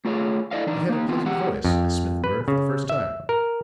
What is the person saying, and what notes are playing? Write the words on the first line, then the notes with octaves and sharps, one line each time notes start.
He had a pleasant voice, as Smith learned for the first time.
A3 F4 G#4 C#5
E4 A4 D5 D#5 F5
E3 D4 D#4
A#3 D#4
D#3 B3 C4 F4
E2 G#3 G4 F#5
F2
B4
C#3
E5
A#4